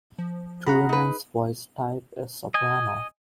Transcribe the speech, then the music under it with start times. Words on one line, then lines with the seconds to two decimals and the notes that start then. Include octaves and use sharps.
Turunen's voice type is soprano.
0.18 F3
0.67 F#4 G#4 F#5 A#5 B5
0.89 D#4 B4
2.54 D#5 G#5